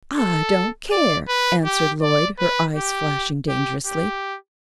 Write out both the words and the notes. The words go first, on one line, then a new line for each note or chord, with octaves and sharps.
"I don't care," answered Lloyd, her eyes flashing dangerously.
A4
D5
B4
G4
D5
B4
G4
G4
G4